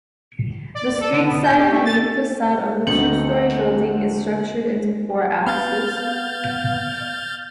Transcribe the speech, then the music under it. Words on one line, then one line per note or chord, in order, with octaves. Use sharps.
The street-sided main facade of the two-story building is structured into four axes.
D5
A4
D3
B3
G6
G4
A3
A6
D2 A3 B3 C4 D#4 G6 C#7 F#7
B3 F5 F6 G6 A6